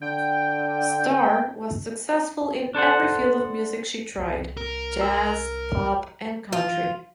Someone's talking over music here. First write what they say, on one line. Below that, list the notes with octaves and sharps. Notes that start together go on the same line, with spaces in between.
Starr was successful in every field of music she tried: jazz, pop and country.
D3 G5
D4 A4 C5 F#5
C2
A#4
A#5 E6
F4